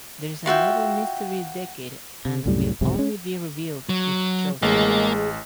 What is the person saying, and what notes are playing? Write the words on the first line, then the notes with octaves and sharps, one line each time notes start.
There is another mystery decade and will only be revealed if chosen.
F4 F#4 E5 G5
C3
C2 F#2 A2 G3
E1 B1 G#2 C3
C#4
F#3
A1 G#3 A#3 G#4